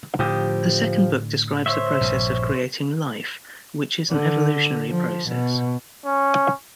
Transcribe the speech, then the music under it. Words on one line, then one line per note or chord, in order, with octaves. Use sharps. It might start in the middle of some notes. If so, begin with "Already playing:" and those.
The second book describes the process of creating "life", which is an evolutionary process.
A2 D3 F3 G4 D#6
C5 C#5 E5
A#1 G2 C3
D3
F3
B2
C#4